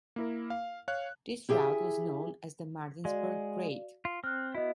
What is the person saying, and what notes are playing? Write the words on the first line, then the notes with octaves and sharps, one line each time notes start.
This route was known as the Martinsburg Grade.
A#3 E4 A#4
F5
C#5 F5 F#6
E4 G4 G#4 C5 E5 G#5
G#3 F#4 D5 F5
F4
C4 F6 F#6
B3 E4 F#4 D#5